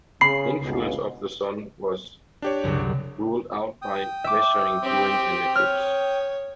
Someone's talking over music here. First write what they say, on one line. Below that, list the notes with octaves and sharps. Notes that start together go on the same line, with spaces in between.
Influence of the Sun was ruled out by measuring during an eclipse.
C#3 B5 C7
G1 C#2 B2
D4 G4 C#5
C2 F#2 C#3
G5 D#6
E5 D6
C4 G4
C#5 F6